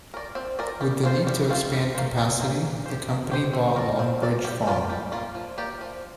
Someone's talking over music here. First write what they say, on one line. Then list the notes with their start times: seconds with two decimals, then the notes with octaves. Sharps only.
With the need to expand capacity, the company bought Longbridge farm.
0.14 A#4 D5
0.35 C4
0.59 A#4 D5
0.81 G3
1.04 C4 F4 C5
1.27 G3
1.49 C4 F4 C5
1.73 G3
1.95 A#3 F4 C5
2.17 G3
2.40 A#3 F4 C5
2.63 A#3
2.86 G4 C5
3.09 A#3
3.31 G4 C5
3.53 C4
3.76 A#4 D5
3.99 C4
4.22 A#4 D5
4.45 G3
4.67 A#3 F4 D5
4.90 G3
5.12 A#3 F4 D5
5.35 F3
5.58 A#3 G4 D5
5.81 F3